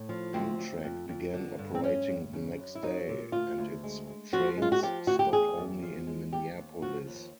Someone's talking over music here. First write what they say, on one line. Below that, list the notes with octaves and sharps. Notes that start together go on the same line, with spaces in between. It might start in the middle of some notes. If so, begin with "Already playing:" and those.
Amtrak began operating the next day and its trains stopped only in Minneapolis.
Already playing: A2
F3
D2 C4
D2
F2
F2
D3
G2
C4
G2 C#4
G2
C#3
F#2
E4
F#3 D#4
A#2
D2 F4
D2
G#3
G#3
F3 F#4
G#3 F4
F#4
F3 G4
D2 F#4
G4
E2 G#4
E2
F3
G#3
D#2 G4
D#2
F3 F#4
D#2